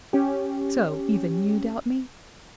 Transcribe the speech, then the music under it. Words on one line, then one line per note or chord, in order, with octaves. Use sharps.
"So, even you doubt me?"
C#4 G4